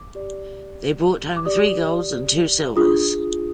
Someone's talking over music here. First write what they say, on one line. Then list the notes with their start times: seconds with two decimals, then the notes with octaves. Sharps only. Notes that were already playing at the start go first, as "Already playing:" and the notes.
They brought home three golds and two silvers.
Already playing: D6
0.15 G4 D5
1.37 D6
1.45 G4 D5 D#6
2.76 D4 F4 G#4 D#6